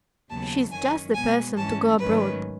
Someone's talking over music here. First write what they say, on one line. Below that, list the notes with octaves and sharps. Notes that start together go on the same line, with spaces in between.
"She's just the person to go abroad."
D#2 C#3 F#3 B3 A5
F#2 D#3 F#3 C#4 G#5
B2 G#3 B3 G#5
G#2 E3 G#3 C#4 A5
G#2 D#3 F#3 A3 C#4 B4